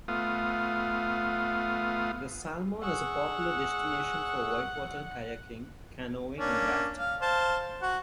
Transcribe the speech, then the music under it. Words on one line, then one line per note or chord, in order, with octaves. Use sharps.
The Salmon is a popular destination for whitewater kayaking, canoeing, and rafting.
A3 B3 F4 F5 D#6
G#4 F#5 C#6 E6
A#3 C#4 D4
F5
C5 F5 A5
F#4 F#5